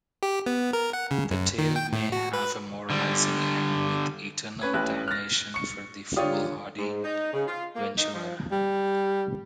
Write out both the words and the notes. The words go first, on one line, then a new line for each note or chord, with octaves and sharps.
The tale may have a moralizing end, with eternal damnation for the foolhardy venturer.
G4
B3
A#4
F#5
C#3
F#2
D#3
G5
A2
F#4
B4
D3 G3
C#4 B4 G#6
A1 G4 F#6
F6 F#6 A6 A#6
C#6 C#7
D3 F4 G4 C#5 D5 D#6
G#2
D#4
C#3
F4
A#3
D#4
F3
G3